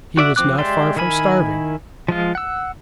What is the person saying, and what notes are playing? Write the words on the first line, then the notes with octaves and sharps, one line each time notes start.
He was not far from starving.
F#4 D5 E5 F#5
F3 C4 D6 F#6
G#3 G4 D5 E5 C6
D#3 E4 A#4 G#5 B5
F3 G#3 F4
F#5 E6